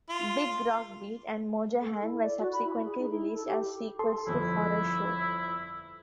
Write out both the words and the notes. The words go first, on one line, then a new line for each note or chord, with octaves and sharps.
"Big Rock Beat" and "Mojo Hand" were subsequently released as sequels to "Horror Show".
F4
A4
E4
D5
F#4
B5
E4
G#4
D#4
E4
A4
G4
A4 C6
G1 F2 E4